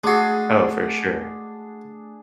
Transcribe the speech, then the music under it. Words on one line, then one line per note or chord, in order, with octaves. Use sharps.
Oh, for sure.
G#3 A3 D4 F#4 G#4 A6